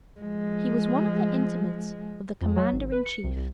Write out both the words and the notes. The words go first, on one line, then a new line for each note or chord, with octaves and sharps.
He was one of the intimates of the Commander-in-Chief.
F3 G#3
F2
F#3
G#1
B4
C#7
C2
C2